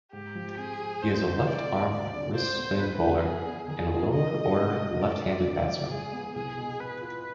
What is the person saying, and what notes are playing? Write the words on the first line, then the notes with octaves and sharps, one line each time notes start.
He is a left-arm wrist spin bowler, and a lower-order left-handed batsman.
G#2 G4
F3
C4 G#4
G4
D2 C5
D3
G#3 D5
C4
D#2 D5
D3
G#3 C5
B3
F2 B4
D3
F3 G#4
B3
D#3 G#4
G#3
D4 D#5
G4
C3
G3
D4 D5
G#4
D3
F3
G#3 G#4
B3
C2 G#4
B2
B3 B4
F4